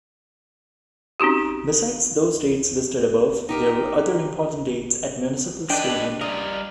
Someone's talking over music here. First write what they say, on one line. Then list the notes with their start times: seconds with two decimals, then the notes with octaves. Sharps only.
Besides those dates listed above, there were other important dates at Municipal Stadium.
1.20 C4 C#4 D#4 F#4 G4
3.49 D#4 G4 A#4
5.70 G#3 D4 B4 D#5 G5
6.21 G3 F4 A#4 D5 D#5